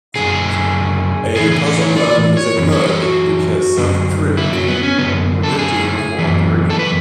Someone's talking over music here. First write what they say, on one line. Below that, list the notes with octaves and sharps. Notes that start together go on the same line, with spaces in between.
A puzzle mug is a mug which has some trick preventing normal operation.
F#2 D3 G#4
A2 E3 G#4
G#4
A4
C#5
D5
C#5
F#2 E3
C#5
A4
F#4
F#2 D3
E4
F#3
B3
C#4
F#2 D3 B3
A4
G#4
F#2 E3
A4
B4